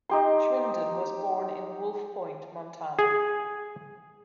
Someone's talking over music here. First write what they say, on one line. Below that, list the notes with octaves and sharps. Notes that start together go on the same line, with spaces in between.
Schwinden was born in Wolf Point, Montana.
D#4 G4 C6
G#4